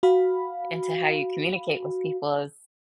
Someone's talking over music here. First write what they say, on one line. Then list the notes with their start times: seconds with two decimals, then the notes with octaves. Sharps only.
into how you communicate with people is
0.03 F#4 F5 B5